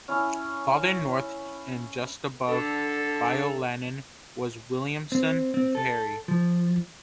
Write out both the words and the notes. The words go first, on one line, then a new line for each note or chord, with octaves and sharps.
Farther north, and just above Bayou Lanan, was Williamson Ferry.
C#4 E4
D3 A4
C4
C4
A4
F3